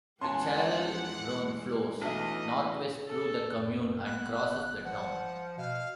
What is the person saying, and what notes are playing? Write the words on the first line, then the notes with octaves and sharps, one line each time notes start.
The Chalaronne flows northwest through the commune and crosses the town.
E2 G3 G#3 C#4 F#5 G#5 A5 C6
B1 E3 A3 D4 F#4 D#5 E5
A4
F#2
B3 F#6
F3 F#5
B2 F5